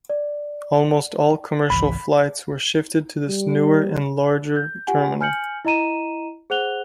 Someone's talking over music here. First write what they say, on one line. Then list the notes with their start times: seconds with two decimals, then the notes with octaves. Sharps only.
Almost all commercial flights were shifted to this newer and larger terminal.
0.10 D5
1.70 G#1 C#2 E3 B5
3.29 G3
4.56 G6
4.87 F4 G4 F#5 G#5
5.21 G#5 F6 G6 C#7 F#7
5.65 E4 D#5 A#5 D#7 E7
6.50 G#4 C5 F#5 F#6 F7 G7